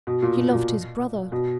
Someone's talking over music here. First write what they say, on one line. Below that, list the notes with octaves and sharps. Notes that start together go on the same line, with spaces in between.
She loved his brother.
B2
A#2
B2
A#2
B2